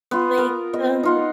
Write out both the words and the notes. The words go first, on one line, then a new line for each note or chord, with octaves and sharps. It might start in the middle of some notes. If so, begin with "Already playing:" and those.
Like, um,
B3 F4
A#4
B3 D#5
D#4 F4 F#5